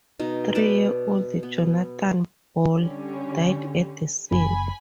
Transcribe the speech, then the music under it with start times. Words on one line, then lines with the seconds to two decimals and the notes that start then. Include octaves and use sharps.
Three-year-old Johnathan Ball died at the scene.
0.19 B2 D#4
0.55 B4 D5 G5 A5
1.43 B3
2.73 D3 G3 C#4
4.32 F#1 G#5 B5